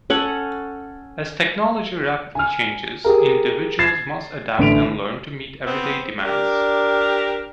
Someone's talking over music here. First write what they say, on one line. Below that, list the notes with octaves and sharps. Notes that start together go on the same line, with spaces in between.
As technology rapidly changes, individuals must adapt and learn to meet everyday demands.
C#4 A4 F#5
G#5 F6
G4 G#4 A#4
G#6 A6 C7 E7
A1 D3 B6 D7 F7
B3 C4
D4 G4 A#4